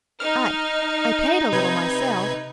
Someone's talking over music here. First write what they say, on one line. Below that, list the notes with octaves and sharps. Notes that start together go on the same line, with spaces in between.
I--I paint a little myself.'
D#4 F6
C3 B4 G#6